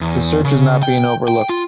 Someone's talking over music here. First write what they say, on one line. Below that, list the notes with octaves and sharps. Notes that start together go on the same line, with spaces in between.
The search is not being overlooked.
E2
C#3
G5
G5
F4